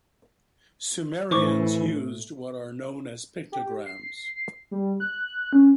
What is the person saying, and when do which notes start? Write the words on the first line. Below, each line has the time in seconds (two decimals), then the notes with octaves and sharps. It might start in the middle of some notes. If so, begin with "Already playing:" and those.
Sumerians used what are known as pictograms.
1.31 A2 E3 C5 C#6 D6
3.52 G4
3.86 C7
4.71 G3
5.00 F#6
5.53 C#4